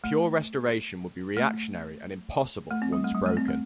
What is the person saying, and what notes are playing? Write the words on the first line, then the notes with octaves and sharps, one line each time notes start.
Pure restoration would be reactionary and impossible once broken.
A3
A3
A3
C4
G3
A3
G3
A3
C4
A3